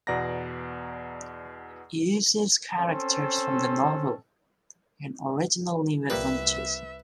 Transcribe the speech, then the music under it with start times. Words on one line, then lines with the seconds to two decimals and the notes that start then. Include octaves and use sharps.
It uses the characters from the novel in original new adventures.
0.07 E2 B2 D5 F#5 A#5 A#6
2.77 C4 C#4 A4 C5
6.10 C2 F3 G3 A#3 B4 E5